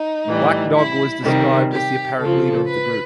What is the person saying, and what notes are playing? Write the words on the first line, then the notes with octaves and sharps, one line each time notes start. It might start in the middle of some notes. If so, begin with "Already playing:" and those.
Blackdog was described as the apparent leader of the group.
Already playing: D#4
A2 E3 G3
E4
C3 D#3 G3
G4
C#3 F3 A4
B4